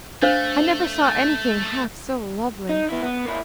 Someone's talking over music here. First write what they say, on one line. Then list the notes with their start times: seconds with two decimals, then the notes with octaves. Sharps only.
"I never saw any thing half so lovely."
0.22 A3 D4 C5 F5
2.69 D#4
2.89 B3 E4
3.03 B3
3.26 A#3 E4